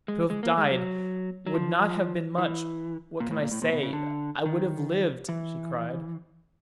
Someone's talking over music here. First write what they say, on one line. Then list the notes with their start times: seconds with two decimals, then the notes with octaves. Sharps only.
'To have died, would not have been much--what can I say?---I would have lived!' she cried.
0.08 G#3
0.30 G#3
0.43 A#3
0.57 G#3
0.71 F#3
1.47 F#3
1.54 F3
2.38 E3
3.20 A#2
3.31 A2
3.42 A#2
3.51 A2
3.62 A#2
3.73 B2
3.83 C#3
3.93 D3
4.46 D#3
5.29 E3